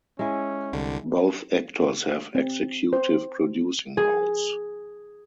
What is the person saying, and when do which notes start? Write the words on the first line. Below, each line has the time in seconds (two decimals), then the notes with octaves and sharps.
Both actors have executive producing roles.
0.19 G#3 C#4 E4
0.72 C2 D3
2.35 C4
2.93 C5
3.97 G#4